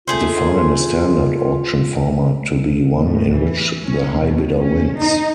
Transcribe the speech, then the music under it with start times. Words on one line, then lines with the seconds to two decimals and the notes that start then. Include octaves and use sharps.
Define a standard auction format to be one in which the high bidder wins.
0.07 A3 F4 G#4 C5
3.02 A2
3.36 E3
3.86 C#4
4.20 B2
4.57 C#4
4.97 D#4